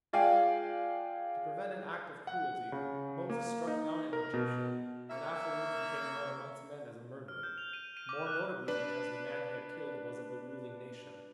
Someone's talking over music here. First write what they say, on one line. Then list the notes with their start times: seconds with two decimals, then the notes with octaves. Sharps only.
To prevent an act of cruelty, Moses struck down an Egyptian and afterward became known among men as a murderer, more notably because the man He had killed was of the ruling nation.
0.13 G#3 F4 D5 F5 G5 G#5
2.27 F#5
2.72 C#3
3.30 A#3
3.67 D#4
4.13 A#4
4.34 B2
5.10 A#3 C#5 E5
7.28 F6
7.43 G6
7.58 F7
7.73 D#7
7.97 D#7
8.09 D6
8.27 F#6
8.68 D4 B4